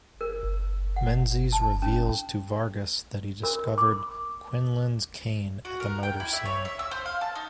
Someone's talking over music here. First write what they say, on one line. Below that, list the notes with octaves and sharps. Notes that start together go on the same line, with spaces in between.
Menzies reveals to Vargas that he discovered Quinlan's cane at the murder scene.
A#4
F#5
A5
C#4
A#4
D6
F#4
A#4
G5
E4
E5
C#5
E5
E6
C5
F5
A5
D#4